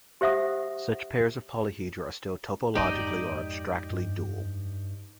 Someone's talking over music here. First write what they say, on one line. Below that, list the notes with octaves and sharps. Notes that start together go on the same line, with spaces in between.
Such pairs of polyhedra are still topologically or abstractly dual.
G4 C5 E5 F#5 D#6
F2 G#2 D#4 G4 D5 D#5
G2